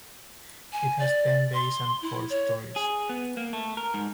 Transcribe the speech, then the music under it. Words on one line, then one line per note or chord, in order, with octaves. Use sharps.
It has ten bays and four storeys.
G#5
D5
C6
E4
C#5
G#4
B3
A#3
A3
A#4
G#2